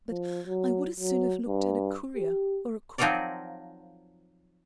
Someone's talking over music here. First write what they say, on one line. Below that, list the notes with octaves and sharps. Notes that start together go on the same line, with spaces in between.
But I would as soon have looked at a courier or a cook.
F3
F#3
F#3
G2
G4
F3 F#3 C4 D#4 A#4 D5